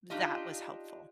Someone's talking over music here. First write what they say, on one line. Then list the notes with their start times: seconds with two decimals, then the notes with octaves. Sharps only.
that was helpful.
0.10 D4 D#4 F4 G4 D#5